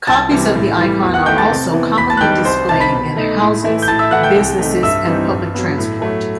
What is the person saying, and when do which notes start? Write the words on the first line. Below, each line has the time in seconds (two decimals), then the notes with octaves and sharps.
Copies of the icon are also commonly displayed in houses, businesses, and public transport.
0.07 C2 A5 A6
0.31 C3 E3 G3 C4
0.55 A2
0.78 E3 G3
1.03 E2
1.14 F#5 F#6
1.26 D#3 A3 D#4 G5 G6
1.38 A5 A6
1.50 C3
1.74 E3 B3 E4
1.97 E2 B5 B6
2.10 A5 A6
2.17 F#6
2.21 D#3 G3 G5 G6
2.45 C2 C5 C6
2.69 C3 D#3 A5 A6
2.80 B5 B6
2.93 B2
3.16 A3 D#4
3.40 A2
3.64 E3 A3 E4
3.82 G6
3.88 A2 A5 A6
3.99 E5 E6
4.11 E3 A3 E4 F#5 F#6
4.23 G5 G6
4.36 C2
4.59 C3 D#3 A3
4.83 G2 E5 E6
5.06 E3 G3 C4 D#4
5.31 G2
5.55 F#3 B3
5.78 A2
6.02 F#3 A3